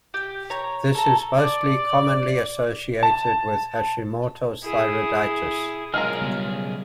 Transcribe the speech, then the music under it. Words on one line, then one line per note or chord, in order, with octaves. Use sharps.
This is most commonly associated with Hashimoto's thyroiditis.
G4
C#5 A#5
A4 A#5
D5
A5
E4 G#4
B1 G#3 F4 G#4 A#4 F5 F6
C#3 G3 B3